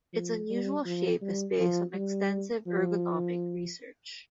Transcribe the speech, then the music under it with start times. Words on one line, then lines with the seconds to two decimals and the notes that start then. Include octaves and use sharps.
Its unusual shape is based on extensive ergonomic research.
0.13 F3
0.50 G3
0.86 F3
1.22 G3
1.59 F3
1.94 G3
2.67 F3